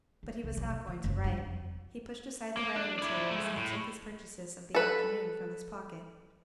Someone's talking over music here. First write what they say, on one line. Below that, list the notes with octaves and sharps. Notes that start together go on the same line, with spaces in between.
But he was not going to write; he pushed aside the writing-materials, and took his purchases of the afternoon from his pocket.
D#4
C2
B1
B2
D2
F#1
G2
F2
A#3
D4
E4 D5
G#3 A3
A2
A4 B4